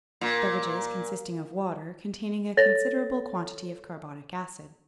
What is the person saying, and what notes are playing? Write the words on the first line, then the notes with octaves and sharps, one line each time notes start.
Beverages, consisting of water, containing a considerable quantity of carbonic acid.
A#2
A4 C#5 A6 A#6